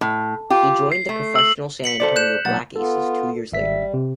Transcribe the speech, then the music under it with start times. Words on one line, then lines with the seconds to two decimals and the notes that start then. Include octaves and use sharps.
He joined the professional San Antonio Black Aces two years later.
0.01 A2
0.50 F4 G4
0.92 C7
1.09 A3
1.36 E6 F#7
1.84 B6 C#7 F#7
2.00 A4 C5 D5
2.16 F#6 G6 E7
2.45 B1 A#2 F#5 A6
2.76 B3 F4 A4
3.52 G#1 G3 E5 B6
3.94 C3